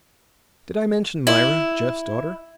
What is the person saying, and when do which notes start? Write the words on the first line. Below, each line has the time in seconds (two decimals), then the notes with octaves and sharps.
Did I mention Myra, Jeff's daughter?
1.27 E4